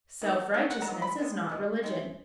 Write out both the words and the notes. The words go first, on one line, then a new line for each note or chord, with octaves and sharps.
Self-righteousness is not religion.
D#3 F#3 B3
D#3 F#3
F#5
A#5
D#3 F#3 B3
B5
D#3 G#3 B3
D#3 G#3 B3
D#3 G#3